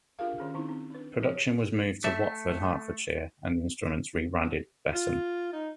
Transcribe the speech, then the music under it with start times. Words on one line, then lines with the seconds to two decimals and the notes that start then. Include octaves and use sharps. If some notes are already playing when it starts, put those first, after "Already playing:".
Production was moved to Watford, Hertfordshire, and the instruments rebranded Besson.
0.19 D4 F4 G4 G#4 A#4 F5
0.38 D#3 C#4 G#4
0.54 D#3 C4 D#4 E4
0.69 C4
0.90 D4 B4
1.19 F3 G#4 C#5
2.04 A3 E5
4.94 F4
5.53 D#4